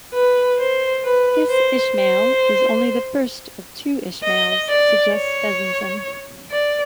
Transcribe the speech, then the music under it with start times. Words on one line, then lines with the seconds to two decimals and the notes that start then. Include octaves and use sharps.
This Ishmael is only the first of two Ishmaels, suggests Bezanson.
0.13 B4
0.59 C5
1.05 B4
1.50 C5
1.96 C5
4.23 D#5
4.69 D5
5.14 C#5
6.51 D5